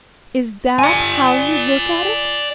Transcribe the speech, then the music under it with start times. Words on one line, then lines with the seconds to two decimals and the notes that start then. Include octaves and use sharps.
Is that how you look at it?
0.79 D5 G#5